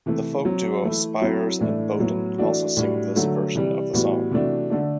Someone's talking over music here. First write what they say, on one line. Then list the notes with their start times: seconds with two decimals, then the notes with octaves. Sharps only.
The folk duo Spiers and Boden also sing this version of the song.
0.06 C3 E3 A3
0.45 F#3 C4 F#4
0.83 E3 A3 E4
1.22 F#3 C4 E4
1.61 A2 E3 A3 D4
1.99 A2 F#3 B3
2.38 E3 A3 D4 F#4
2.77 A2 G3 D4 F#4
3.16 D3 F#3 A3
3.55 C3 E3 G3
3.93 A2 E3 G3 B3 F#4
4.31 C3 E3 A3 D4 F#4
4.70 D3 A3 D4